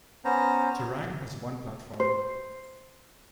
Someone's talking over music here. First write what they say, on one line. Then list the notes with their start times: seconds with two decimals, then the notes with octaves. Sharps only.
Terang has one platform.
0.25 B3 C#4 C5 A#5
2.00 C5